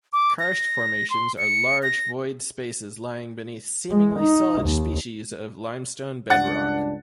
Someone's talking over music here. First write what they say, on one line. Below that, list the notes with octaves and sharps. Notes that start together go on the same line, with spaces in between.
Karst formations are large void spaces lying beneath seemingly solid species of limestone bedrock.
D6
A#6
C6
C#7
A#6
G#3
D#4
D#2
C#2 G2 D4 F#5 A6